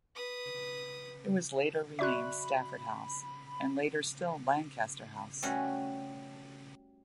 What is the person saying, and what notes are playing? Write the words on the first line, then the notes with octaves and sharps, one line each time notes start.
It was later renamed Stafford House, and later still Lancaster House.
B4 D#6
F#4 D5 E5 B5 C#6 D6 F#6
G3 A3 C#4 F#4